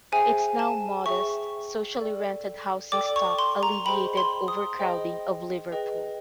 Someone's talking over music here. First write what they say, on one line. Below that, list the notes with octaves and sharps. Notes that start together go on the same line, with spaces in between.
Its now-modest socially rented housing stock alleviated overcrowding of Liverpool.
G#4 C5 E5 G5 G#5
A5
G#4 C5 E5 G5 C#6
A4 D5 G5
A4 D5 G5 D6
C#6
C6
A#5
G#4 C5 D#5 G5 B5
C6
D#6
G#4 C5 D#5 G5
G#4 B4 D#5 G5